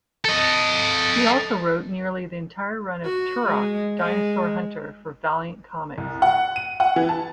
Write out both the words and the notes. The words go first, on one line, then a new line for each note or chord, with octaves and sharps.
He also wrote nearly the entire run of "Turok: Dinosaur Hunter" for Valiant Comics.
A4 D#5
F#4
G#3
G#3
C2
F#5
D#7
F#5
E3
A5